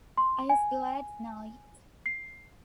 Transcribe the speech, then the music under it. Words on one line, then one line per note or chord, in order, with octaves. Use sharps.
I was glad to know it.
C6
G#5
C7